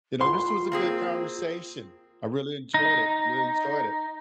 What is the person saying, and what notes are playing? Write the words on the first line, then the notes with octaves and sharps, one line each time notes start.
you know, this was a good conversation. I really enjoyed it. Really enjoyed it.
F4 C6
A#3 C4 G#4
D#4